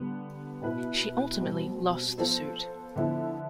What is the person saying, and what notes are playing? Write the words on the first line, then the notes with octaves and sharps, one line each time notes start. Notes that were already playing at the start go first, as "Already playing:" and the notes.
She ultimately lost the suit.
Already playing: D3 G3 B3
B2 B3 E4 B4
B2 G3 C4
F3 B3 F4 A4 C5
D3 F3 B3 E4 A4